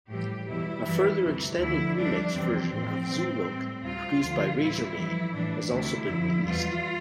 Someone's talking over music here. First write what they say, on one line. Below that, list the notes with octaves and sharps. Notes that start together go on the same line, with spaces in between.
A further extended remix version of "Zoolook", produced by Razormaid!, has also been released.
A2 E3 G3 G4
E2 B2 G3 E4
G2 E3 G3
D2 C3 E3
D2 D3 F3 E4
F2 E3 G3 D4
F2 C3 E3 G3 C4
A2 F3
A2 E3 G3
A2 G3
D2 C3 G3 F4
D2 D3 F3
A2 E3 G3 E4
F2 E3 G3
A2 E3 G3 D4
D2 C3 G3 E4
F2 D3 F3
E2 B2 G3 F4